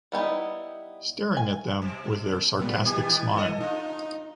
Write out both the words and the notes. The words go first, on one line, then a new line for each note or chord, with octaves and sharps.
Staring at them with their sarcastic smile.
G3 B3 D#4 E4
G#5
B2
A#2 G3 B3
B2 E3 G4 G#5
A4 D#5
D#4 F4